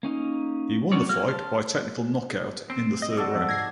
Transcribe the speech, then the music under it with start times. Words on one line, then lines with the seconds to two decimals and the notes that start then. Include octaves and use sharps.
He won the fight by technical knockout in the third round.
0.03 A#3 C#4 D#4
0.92 F#3 C4 C#4 C#5 D5
1.09 F#3 A#3 F6
1.29 A5 C6 F6
2.70 C4
3.02 D#5
3.17 F#4 A4 D5
3.35 F2
3.49 G#2 G#6 A#6 C7